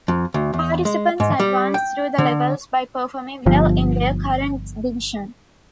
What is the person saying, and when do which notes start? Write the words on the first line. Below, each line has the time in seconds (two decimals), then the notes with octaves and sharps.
Participants advance through the levels by performing well in their current division.
0.08 F2
0.34 D2
0.53 E2
0.85 G#3
1.20 G#2
1.40 G3
1.74 G5
2.18 D3
3.46 G1 F3